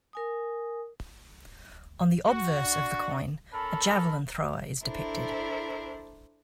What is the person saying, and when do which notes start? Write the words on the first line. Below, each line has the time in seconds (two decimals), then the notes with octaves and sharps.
On the obverse of the coin, a javelin thrower is depicted.
0.13 A#4 G#5 D#6
2.28 F#4
2.61 D4 D5 C#6
3.53 C#4 A4 A#4 A5 B5
4.83 D4 E4 A4 A#4 C5